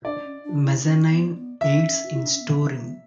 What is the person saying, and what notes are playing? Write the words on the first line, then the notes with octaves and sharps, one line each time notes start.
Mezzanine aids in storing.
D4 D5
C#4
D4
E4
C#4
B3
B3
C#4 E5
F#4
E4
D4
C#4
B3
C#4
B3